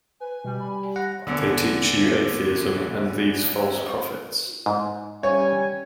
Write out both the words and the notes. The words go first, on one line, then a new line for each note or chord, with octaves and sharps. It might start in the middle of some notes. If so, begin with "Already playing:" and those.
They teach you atheism and these false prophets.
B4 G#5
B2 G3
B5
F#5 A#6
E2 D3
G#2
G3 C#4 C#5 G#5